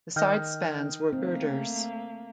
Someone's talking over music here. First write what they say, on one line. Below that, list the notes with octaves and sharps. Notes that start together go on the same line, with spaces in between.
The side spans were girders.
D#3 D#5 G5 F6 G6
A3 A#3 C4